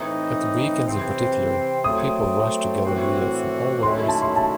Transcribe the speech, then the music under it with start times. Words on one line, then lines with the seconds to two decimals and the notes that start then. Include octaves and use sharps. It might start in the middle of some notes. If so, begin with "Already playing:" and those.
At weekends in particular, people rushed to Galleria from all over the city.
Already playing: A2 E3 C4 D#4
0.86 C3 E3 C4
1.84 F#3 A3 C4 D#6
2.84 A2 E3 C4 F#4
3.83 D#3 F#3 A3 C#4 E4 C6
4.08 A5
4.22 C6
4.36 A5